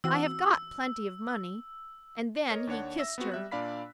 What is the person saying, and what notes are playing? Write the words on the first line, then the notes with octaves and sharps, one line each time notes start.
I have got plenty of money.' And then he kissed her.
E3 C4 F#4 E6
A#4 C#5 D#5
D#2 D4 C#5 F#5
E5 E6 A#6
B3 C4 F#4
G3 E5 F#6
A#2 D4 D5 F5 B5 B6